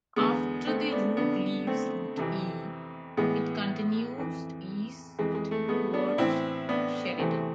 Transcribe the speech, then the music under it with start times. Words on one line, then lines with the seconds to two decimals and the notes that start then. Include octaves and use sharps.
After the route leaves Route E, it continues east towards Sheridan.
0.16 E2 D3 G#3 B3
0.67 A3 C4
0.92 B3 D4
1.17 F2 D3 B3 D4
1.67 A3 C4
2.17 F2 C3 E3
3.17 A2 E3 G#3 B3
4.18 F2 E3
5.19 F2 E3 G#3
5.35 G#3
5.51 A3
5.68 G#3 B3
5.93 B3 D4
6.09 D4
6.18 A2 E3 C4 E4
6.69 B3 D4
7.18 E2 C3 E3 A3 C4